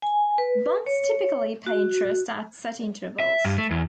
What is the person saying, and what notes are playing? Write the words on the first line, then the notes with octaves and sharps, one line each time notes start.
Bonds typically pay interest at set intervals.
G#5
B4
C#5
F#4
E5
G2
A3
E2